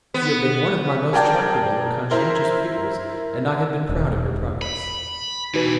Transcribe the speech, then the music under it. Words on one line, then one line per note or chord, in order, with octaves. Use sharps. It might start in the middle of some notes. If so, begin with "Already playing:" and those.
You have been one of my most tractable and conscientious pupils and I have been proud of your progress.
B3
G#4 A#4 D5 G5 A5
E4 A#4 C5
E1
B5
B2 E3 D#4 F#4 B4